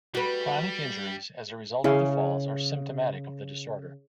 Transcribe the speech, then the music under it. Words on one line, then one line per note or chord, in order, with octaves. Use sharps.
Chronic injuries as a result of the falls are symptomatic of the disorder.
G3 F#4 B4
C#3 E4 G#4 F5